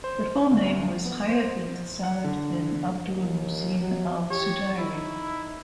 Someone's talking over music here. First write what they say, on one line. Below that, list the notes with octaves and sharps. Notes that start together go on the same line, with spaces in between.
Her full name was Haya bint Saad bin Abdul Muhsin Al Sudairi.
C5
D2
B3
C5
F#5
D3
D#2
F#3
G4 C#5
D#4 E4